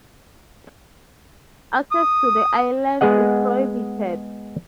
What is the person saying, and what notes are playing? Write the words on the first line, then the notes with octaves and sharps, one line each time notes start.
Access to the islands is prohibited.
D#6
G#3 B3 G#4 D#5 F#5